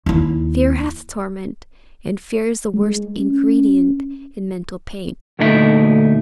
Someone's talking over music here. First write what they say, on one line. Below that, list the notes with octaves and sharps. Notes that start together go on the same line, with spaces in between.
Fear hath torment--and fear is the worst ingredient in mental pain.
D#2 E4
G#3
C#4
D2 A#2 A3 D#4 A4 E5